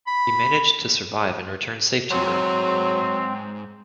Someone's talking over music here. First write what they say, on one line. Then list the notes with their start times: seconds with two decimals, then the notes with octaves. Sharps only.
He managed to survive and return safe to Europe.
0.07 B5
2.11 C#2 G#2 F#3 C4